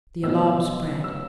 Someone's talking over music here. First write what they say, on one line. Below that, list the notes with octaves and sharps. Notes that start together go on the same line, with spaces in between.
The alarm spread.
B2 F#3 B3 E6
E6